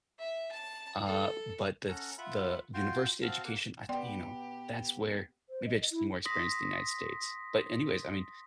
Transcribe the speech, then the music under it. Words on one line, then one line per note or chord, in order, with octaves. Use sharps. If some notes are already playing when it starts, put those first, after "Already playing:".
uh, but that's the university education, I thi you know, that's where maybe I just need more experience in the United States, but anyways, I mean,
E5
A5
A4
C#4 A4 F#5 A#5
F4 E5 F#5 B5
F4 F#4 G5 C6
C4 F#4 F5 A5
A#3 F#5
B3 G4 D5 G5 C6
C5
D#5
E4
C6 D#6 A#6 B6